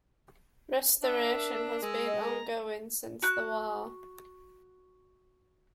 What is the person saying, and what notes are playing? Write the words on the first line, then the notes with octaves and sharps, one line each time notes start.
Restoration has been ongoing since the war.
D4 E5
A#4
G#3 E6
D#5
A#4 A#5
F#4 F#6